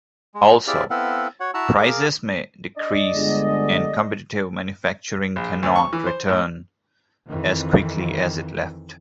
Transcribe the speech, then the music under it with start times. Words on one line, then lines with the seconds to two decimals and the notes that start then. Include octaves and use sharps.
Also, prices may decrease and competitive manufacturing cannot return as quickly as it left.
0.35 G#3
0.67 C4 E4 G4 G#4 D5 F5
0.90 B3 C4 E4 A4 F5 F#5
1.40 F#4 C#5 F#5
1.54 E4 F#4 F#5 A5 A#5 E6
1.78 G#4 A#4 F5 D6
2.77 D4 D5 D#5
3.14 G1 D3 G#3
5.36 A#1
5.63 D2
5.76 C#6
5.93 E3
6.06 C5
6.29 A2
7.27 F2 D#3 E3